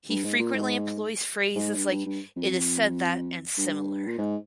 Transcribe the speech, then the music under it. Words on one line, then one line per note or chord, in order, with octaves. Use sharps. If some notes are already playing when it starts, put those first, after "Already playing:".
He frequently employs phrases like "it is said that" and similar.
G2
G#2
A#2
G#2
G#2
G2
G2
G2
F2
G2
A#2
G#2